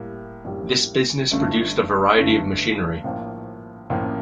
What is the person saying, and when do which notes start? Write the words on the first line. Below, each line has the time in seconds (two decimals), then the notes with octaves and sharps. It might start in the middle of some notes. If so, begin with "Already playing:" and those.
This business produced a variety of machinery.
Already playing: A2 G3 A#3
0.45 A#1 A2 G3 A#3
1.31 G1 G2 D3 A3
2.17 G1 G2 D3 A3
3.04 A#1 A2 F3 A#3
3.90 A#1 A2 F3 A#3